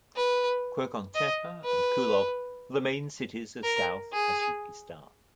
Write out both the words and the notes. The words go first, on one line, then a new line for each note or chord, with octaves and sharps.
Qurghonteppa and Kulob are the main cities of south Tajikistan.
B4
D#5
B4
A#4
G#4